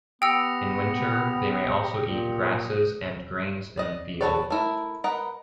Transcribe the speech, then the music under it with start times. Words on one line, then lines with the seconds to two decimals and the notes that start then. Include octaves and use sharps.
In winter, they may also eat grasses and grains in fields.
0.22 B3 G4 G5 D#6 E6 A#6 C#7
2.01 A#2
3.77 D5 D#5
4.21 F#4 A4 B4 C#5 D5
4.50 A3 E4 A#4
5.04 A#4 B4 D#5 F#5